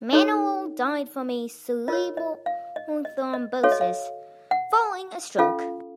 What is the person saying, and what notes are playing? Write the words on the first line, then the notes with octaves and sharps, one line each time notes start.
Manilal died from a cerebral thrombosis following a stroke.
D#4 F#4 A4 C#5 D#5
F4 A#4 C#5 D#5
D#5
F5
D#5
D#5
D#5
F#4 A4 C#5 F5
D#5
F5
F#5
C#4 F4 A4 F5